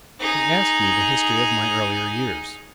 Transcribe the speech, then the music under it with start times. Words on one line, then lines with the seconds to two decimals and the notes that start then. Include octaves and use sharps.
He asked me the history of my earlier years.
0.20 D#4 G#4